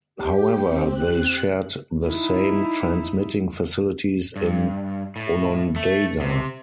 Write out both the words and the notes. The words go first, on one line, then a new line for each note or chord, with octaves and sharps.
However, they shared the same transmitting facilities in Onondaga.
G4
C4
F#6
D#4 E4
G2
A2
A3
C3